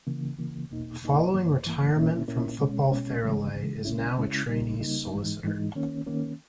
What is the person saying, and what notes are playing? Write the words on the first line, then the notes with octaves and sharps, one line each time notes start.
Following retirement from football Farrelly is now a trainee solicitor.
C#3 E3 A#3
C#3 E3 A#3
E2 B2 A#3 D#4
E2 B2 A#3 D#4
G2 E3 A#3
G2 E3 A#3
A#2 A#3 C#4 E4
A#2 A#3 C#4 E4
B2 G#3 C#4
B2 G#3 C#4
C#3 E3 G#3
C#3 E3 G#3
C#3 G#3 C#4 E4
C#3 G#3 C#4 E4
C#3 G3 A#3 D#4
C#3 G3 A#3 D#4
G#2 E3 G#3 D#4
G#2 E3 G#3 D#4
D#3 A#3 C#4
D#3 A#3 C#4